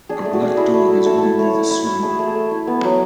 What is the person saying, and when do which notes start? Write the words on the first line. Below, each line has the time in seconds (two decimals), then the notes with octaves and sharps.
A black dog is running through the snow.
0.09 D4 G#4
0.21 A3 G#4
0.33 F#4
0.42 D4 G#4
0.57 E4 G#4
0.74 A3
0.90 E4
1.06 A3 A4
1.18 E4 A4
1.39 A3 C#5
1.54 E4
1.71 E4
1.87 E4
2.03 A3 G#4
2.19 A3
2.27 A4
2.35 A3
2.51 E4
2.67 B3
2.84 F#3